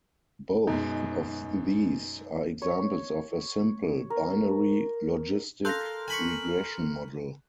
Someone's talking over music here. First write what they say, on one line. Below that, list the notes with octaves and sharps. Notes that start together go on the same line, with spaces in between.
Both of these are examples of a simple, binary logistic regression model.
F#2 B2 G#3 D#4
C#5
A#4
A4 A#4 F5 C6 F#6 G6 A#6
G#5 B5 C#6